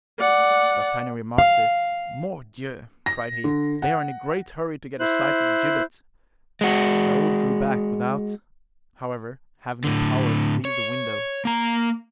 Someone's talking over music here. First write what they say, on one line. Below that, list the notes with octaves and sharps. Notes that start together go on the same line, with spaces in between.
D'Artagnan remarked this. "Mordioux!" cried he, "they are in a great hurry to get a sight of the gibbet!" Raoul drew back, without, however, having the power to leave the window.
D5 F#5
F5
A#6
D3
F#5
E4 C5 F#6
G#3 F#4
A2 D3
C#5
A#3 A#5